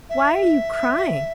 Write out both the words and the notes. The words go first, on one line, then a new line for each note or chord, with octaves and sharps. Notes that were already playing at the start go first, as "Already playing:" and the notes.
Why are you crying?
E5